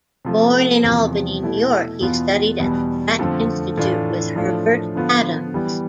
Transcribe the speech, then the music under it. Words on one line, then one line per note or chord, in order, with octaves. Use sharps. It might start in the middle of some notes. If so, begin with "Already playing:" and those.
Born in Albany, New York, he studied at the Pratt Institute, with Herbert Adams.
C3 F3 A3
E2 C3 F3
B2 A3 E4
E2 B2 B3 F4
E2 B2 G3 B3
F2 D3 F3 A3 C4
A2 E3 A3 D4 F4
A2 F3 A3 D4 F4
D3 F3 B3 F4
E3 G3 B3